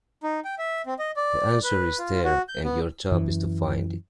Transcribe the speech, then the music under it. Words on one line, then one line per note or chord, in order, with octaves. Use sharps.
The answer is there, and your job is to find it.
D#4
G5
E5
C4
D#5
D5
B4
F4
F#4
G6
B3
F#2 E3